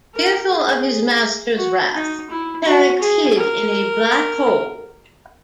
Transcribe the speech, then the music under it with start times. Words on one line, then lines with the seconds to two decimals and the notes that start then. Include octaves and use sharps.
Fearful of his master's wrath, Terrax hid in a black hole.
0.14 A#4
0.50 G#4
1.57 F#4
1.94 D#4
2.30 E4
2.65 F#4
3.01 G#4
3.37 A#4